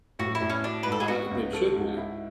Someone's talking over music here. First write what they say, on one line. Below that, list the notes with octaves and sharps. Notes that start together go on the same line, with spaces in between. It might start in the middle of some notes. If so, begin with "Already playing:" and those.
You know, uh, that should be.
A2 F#4
E4
A2
C#4
D4 F#4
B4
G#2
A4
G#4
B3 F#4
C#2
A4
G#2
E4